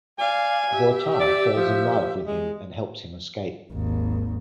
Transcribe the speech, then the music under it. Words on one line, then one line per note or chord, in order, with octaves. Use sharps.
Bortai falls in love with him and helps him escape.
D5 F5 G#5
G4 E5
D5
F3
G#3
G#1 D#2